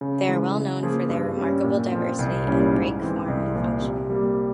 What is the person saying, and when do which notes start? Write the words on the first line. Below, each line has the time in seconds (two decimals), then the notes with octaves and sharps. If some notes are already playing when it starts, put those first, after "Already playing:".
They are well known for their remarkable diversity in beak form and function.
0.01 C#3
0.28 E3 G#3
0.55 C#3
0.83 F3 A#3 F4 G#4
1.10 G2
1.37 G3 C#4
1.64 A#2
1.91 F3 C4 F4
2.19 C2
2.47 A#2 G3 C#4 E4
2.73 G#2
3.01 E3 G#3 C4
3.28 C2
3.55 A#2 F3 A#3
3.82 C3
4.10 G3 A#3